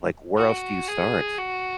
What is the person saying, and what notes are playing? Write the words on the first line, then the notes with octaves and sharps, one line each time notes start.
like, where else do you start?
F#4
G#4
F#4